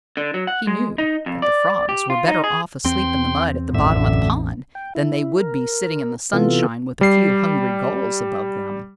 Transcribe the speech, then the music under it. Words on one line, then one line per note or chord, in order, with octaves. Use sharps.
He knew that the Frogs were better off asleep in the mud at the bottom of the pond, than they would be sitting in the sunshine with a few hungry Gulls above them.
D3
F#3
F#5
G#3
D#4
F2
D5
G4
F4
D#4
G#4
E2 C4 G5 C6
A1 F#2 D3 E5
G5
E4
A#4
C3 E3 B3 F4 A4
G3 C7